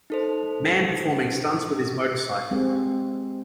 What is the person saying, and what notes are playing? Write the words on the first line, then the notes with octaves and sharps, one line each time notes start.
Man performing stunts with his motorcycle.
D#4 A4 C5
G#3 C4 G4 G#4